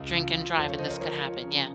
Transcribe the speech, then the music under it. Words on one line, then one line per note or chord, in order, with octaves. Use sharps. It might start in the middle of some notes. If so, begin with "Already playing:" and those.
drink and drive, and this could happen, yeah.
Already playing: C#2 F4
F3
F3
C#2 A4 C5
C#5 F5
F3 C5 D#5
A#4 C#5
F3 A#4 C#5
F3
C#3